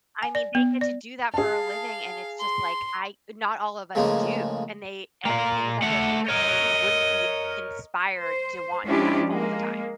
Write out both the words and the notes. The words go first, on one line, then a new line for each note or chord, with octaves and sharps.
I mean, they get to do that for a living, and it's just like I not all of us do, and they everything is at their fingertips. Who wouldn't be inspired to want that all the time?
G#5
D5
B3
D5
G#4 F5 A5
C6
A2 C#3 F3 G#3 A#3
A#2 A#3
A3 F#5
A#4 C#5 D#5
C5
F3 G#3 C#4 D4 E4 G4
G#3 A#3